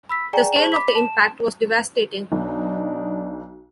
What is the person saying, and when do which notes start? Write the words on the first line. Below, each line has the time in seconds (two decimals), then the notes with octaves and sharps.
The scale of the impact was devastating.
0.09 B5 E6 B6
0.33 G#4 D5 G5 G#5 A#5
0.56 G#4 C5 A5 C#6
0.72 B5 D6 B6
0.95 A5 E7
2.32 B1 D4 D#4